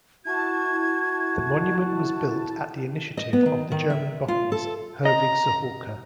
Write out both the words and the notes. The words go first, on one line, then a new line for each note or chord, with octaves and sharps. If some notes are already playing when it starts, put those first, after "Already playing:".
The monument was built at the initiative of the German Botanist, Herwig Zahorka.
E4 F#4 A5 G#6
D#5
B3
D#3
D#3
E5
F4
A4
D#5 A#5